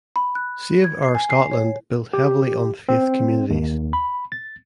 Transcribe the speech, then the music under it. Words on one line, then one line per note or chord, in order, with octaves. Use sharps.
Save Our Scotland built heavily on faith communities.
B5
F#6
G#6
C7
G#5
C7
C#5
G4
C4
D#2
B5
A6